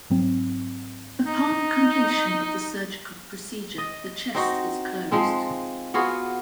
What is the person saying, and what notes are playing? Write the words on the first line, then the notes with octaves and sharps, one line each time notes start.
Upon completion of the surgical procedure, the chest is closed.
G#2 F#3 C4
D#4
D#5
C4 D#4 F#4
F3 G#3 C4
B3 F4 F#4 G#4